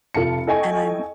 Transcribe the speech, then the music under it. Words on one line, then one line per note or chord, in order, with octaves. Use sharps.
and I'm
F1 F4 A5 C#7
E4 A4 D#5 G5 G#5 C#6